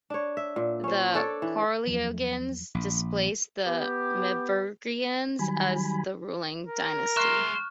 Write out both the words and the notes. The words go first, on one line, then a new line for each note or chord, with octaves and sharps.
The Carolingians displaced the Merovingians as the ruling dynasty.
D4 C#5
E5
A#2
C#4 C5
D4 A4 C#5 D5
E3
E2 F3 F#3
A#1
B3 G4
D#3 F#3 G3 G#5 B5
A#4
G#3 E5 C6 C#6 F6 F#6